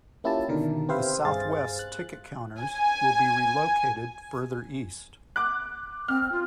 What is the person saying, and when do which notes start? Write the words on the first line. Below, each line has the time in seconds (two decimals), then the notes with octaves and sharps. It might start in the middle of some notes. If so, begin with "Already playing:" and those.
The Southwest ticket counters will be relocated further east.
0.24 A#3 C#4 E4 F4 G4 A5
0.48 B2 D3 D#3 D4 A#4
0.89 C4 G4 B4 C5 E5 F5
1.25 G2 G#4 C5 F5 A6
1.79 F#6
2.61 G#5
5.36 D6 F#6
6.08 C4 F6
6.32 F4